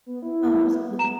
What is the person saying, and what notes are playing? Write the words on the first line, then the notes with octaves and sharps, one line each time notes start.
Oh, absolutely.
B3
E4
B3
A#5 E7